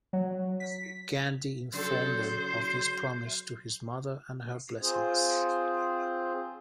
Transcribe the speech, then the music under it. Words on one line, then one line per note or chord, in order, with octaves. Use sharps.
Gandhi informed them of his promise to his mother and her blessings.
F#3
B6
C#3 F#3 A4 C5
C4 F4 G#4 C5